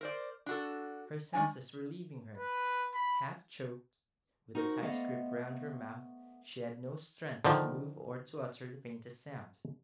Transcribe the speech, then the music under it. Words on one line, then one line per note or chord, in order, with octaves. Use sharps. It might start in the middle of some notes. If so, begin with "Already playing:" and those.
Her senses were leaving her; half choked with the tight grip round her mouth, she had no strength to move or to utter the faintest sound.
A#4 C5 D5
D4 F#4 A4
D#3 D4 G#5
B4
B5
D#4 F#4 A#4 C5
A3 B3 C5 D5 D#5 F5
D3 D#3 F3